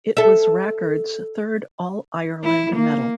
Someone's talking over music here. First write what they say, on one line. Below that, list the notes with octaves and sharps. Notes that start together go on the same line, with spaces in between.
It was Rackard's third All-Ireland medal.
A4 E5
E4
A#3